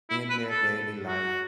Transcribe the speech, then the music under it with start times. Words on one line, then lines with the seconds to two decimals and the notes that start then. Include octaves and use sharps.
in their daily life.
0.10 E4
0.29 B4
0.49 A4
1.07 F#4